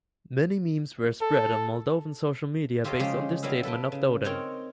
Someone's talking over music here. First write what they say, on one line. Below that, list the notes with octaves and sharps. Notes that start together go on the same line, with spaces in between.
Many memes were spread on Moldovan social media based on this statement of Dodon.
A4
F4 G4 A4 C5 C#5 D#5
C#3 F3 G#3 G4 G#4 C#5
F#3 G3 B3 E4 F5
A4 B4 G5 A5
C#3
C4 D#4 A#4 C#5 G5